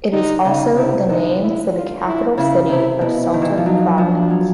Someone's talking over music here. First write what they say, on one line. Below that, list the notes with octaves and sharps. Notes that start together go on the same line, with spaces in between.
It is also the name for the capital city of Salta Province.
D3 D#4
C#3 D#4
C3 E4
D3 D#4
E4
F4
E4
C#3 E4
C3 E4
B2 E4
D#3
E3
F3
F#3 D#4
F3 D4
F#3